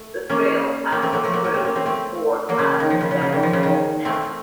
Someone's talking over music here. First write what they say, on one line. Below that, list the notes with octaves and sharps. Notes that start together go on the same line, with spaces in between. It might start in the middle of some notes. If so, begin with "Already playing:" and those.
The trail passes through or past several small towns.
Already playing: A3
A#3 C#4
A#3 C#4
A3 C4
F#3 A#3
F3 A3
F#3 A#3
F#3 A#3
A3 C4
A#3 C#4
A3 C4
A3 C4
F#3 A#3
C#3
D#3
F3
C#3
C#3
C#3
D#3
F3
C#3
D#3
A3 C4